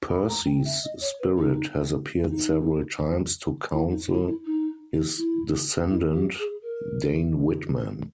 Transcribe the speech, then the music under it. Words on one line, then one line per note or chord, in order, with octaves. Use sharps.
Percy's spirit has appeared several times to counsel his descendant, Dane Whitman.
B5
A#5
G5
E5
D#5
C#5
B4
D#4
D#4
E4
D#4
E4
E4
D#4
E4
E4
G4
G#4
A#4